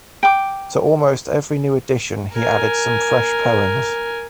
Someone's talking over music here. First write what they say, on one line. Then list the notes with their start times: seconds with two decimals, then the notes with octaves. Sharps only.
To almost every new edition he added some fresh poems.
0.23 G5 D6
2.34 A#4 G#5